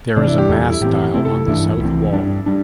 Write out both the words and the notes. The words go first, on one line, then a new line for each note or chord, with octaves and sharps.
There is a mass dial on the south wall.
C3 E3 C4 D4
E4
G4
E2 E3 G3 A4
E4
A2 E3 C4 G4
C3 A3 C4 E4
A4
G2 E3 A3 D4 E4
C2 C3 E3 C4
G2 G3 D4
G3 D4